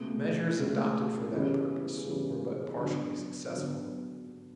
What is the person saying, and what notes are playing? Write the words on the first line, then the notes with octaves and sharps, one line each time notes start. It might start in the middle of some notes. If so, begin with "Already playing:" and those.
The measures adopted for that purpose were but partially successful.
Already playing: C#2 B2 A3
C#2 B2 A3
C#3 E3 G3 C#4
C#3 E3 G3 C#4
D3 F#3 B3 D4
D3 F#3 B3 D4